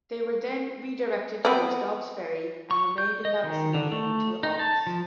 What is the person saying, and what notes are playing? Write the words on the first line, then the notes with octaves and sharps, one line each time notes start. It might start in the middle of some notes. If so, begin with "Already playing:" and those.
They were then redirected towards Dobb's Ferry and remained in that vicinity until August.
B3 C4
C#6
G6
D#5
D#3
D3
A3
D#4
A5
F3